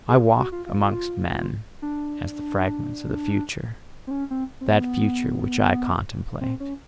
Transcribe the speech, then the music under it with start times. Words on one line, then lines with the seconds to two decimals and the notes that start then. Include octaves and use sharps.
I walk amongst men as the fragments of the future: that future which I contemplate.
0.09 G#4
0.38 F#4
0.52 F4
0.66 F4
1.82 D4
4.07 C4
4.11 C#4
4.30 C4
4.61 C4
4.68 B3
6.41 C4
6.60 C#4